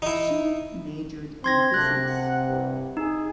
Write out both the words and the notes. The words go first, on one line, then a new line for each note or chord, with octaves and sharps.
She majored in business.
D#4 E4
C4 C6 G#6 A#6
C3 A3 A#3 D4 F#6
F#5
C2 G2
D#4 G#4